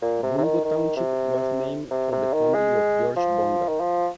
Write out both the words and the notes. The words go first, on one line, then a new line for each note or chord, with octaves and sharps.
Bungo Township was named for the family of George Bonga.
A#2
C3
C3
D#3
D#3
C3
C3
C3
D#3
G#3
F3
D#3
F3